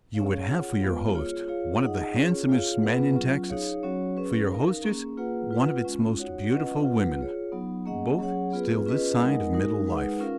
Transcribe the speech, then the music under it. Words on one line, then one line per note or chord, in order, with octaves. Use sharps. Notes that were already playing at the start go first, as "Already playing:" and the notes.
You would have for your host one of the handsomest men in Texas; for your hostess one of its most beautiful women--both still this side of middle life.
C#4 G#4 C#5 F5
F4 G#4 C#5 F#5
G#3 B3 F4 B4 F5
F4 G#4 C#5
F4 G#4 C#5 F5
D#4 G#4 D#5 F#5
C#4 F4 G#4 C#5
F4 G#4 C#5 F5
B3 F4 G#4 B4 F#5
F#3 C#4 F4
D#4 G#4 C#5 F5
F#3 C#4 F#4 C#5
C#4 G#4 B4
D#4 A#4 F5
A#3 C#4 G#4
A#3 F4 G#4 B4 F#5
F4 B4 F#5
G#3 C#4 F4
D#4 F#4 C#5 F#5
C#4 F4 B4 D#5 F#5
F4 B4 F#5
F4 G#4 C#5
F#3 B3 D#4
A#3 C#4 G#4 D#5 F#5
F#3 C#4 G#4 C#5 F#5
B3 F4 G#4 B4
C#4 F4 G#4 B4 D#5
G#3 D#4 A#4 D#5 F#5
G#3 D#4 F#4 A#4
G#3 D#4 G#4 B4 F#5
C#4 F4 A#4 F5